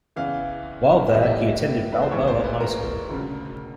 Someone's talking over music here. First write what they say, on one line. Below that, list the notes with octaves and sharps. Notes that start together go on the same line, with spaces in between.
While there he attended Balboa High School.
E2 C#3 E3 F5
A2 E3 G3 D#5
E5
D#5
B4
C5
A1 G#2 E3 C#5
C5
B4
A#4
E1 D2 C#3